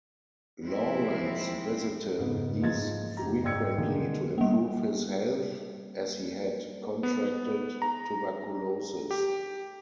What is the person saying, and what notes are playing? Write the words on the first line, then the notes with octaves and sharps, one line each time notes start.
Lawrence visited these frequently to improve his health, as he had contracted tuberculosis.
F3 G#3 C4 E4
F2 G#2 C#3 B3
G#2 F3 G#6 A6
F#1 G4 A#5
G#2 D5 G5 E6 G#6 C#7
B2 D3 D#3 G#3 A#3 B3
G3 A#3
B3
A#5
G4